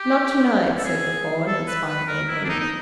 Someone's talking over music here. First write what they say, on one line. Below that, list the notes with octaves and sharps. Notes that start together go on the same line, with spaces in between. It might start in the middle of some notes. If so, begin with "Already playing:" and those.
"Not to-night," said the fawn, in spite of Edwin.
Already playing: G4
A4
G#4
A4
B4
B4
A#4
E4
D4
D#4
D#4